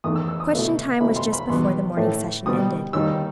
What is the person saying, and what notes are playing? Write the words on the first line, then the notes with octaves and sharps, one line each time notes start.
"Question time" was just before the morning session ended.
E2 D#3 A3 D#6
E6
E6
D#6
B2 A3 E4
C2 B2 A3 E4 B5
C6
B5
E2 B2 G3 B3 C6
A2 E3 A3
C2 B2 G3 B3 D#6
D#2 D#3 G3 D#4 E6